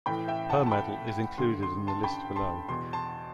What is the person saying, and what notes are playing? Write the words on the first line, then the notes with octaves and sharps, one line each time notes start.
Her medal is included in the list below.
A2 E3 G5 B5
E5 G5
F#5 A5
A5
G5 B5
G2 D3 C6
C6
A5 C6
G5 B5
A5 C6
E2 B2 C6
A5 C6